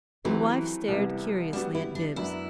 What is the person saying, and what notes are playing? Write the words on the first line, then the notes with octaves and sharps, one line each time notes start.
The wife stared curiously at Bibbs.
E3 F#3 A3 C4 G4 B4
C2 C3 G3 B3 E4
G3 B3 D4 F#4
E4
D4
F#2 F#3 B3 D4 E4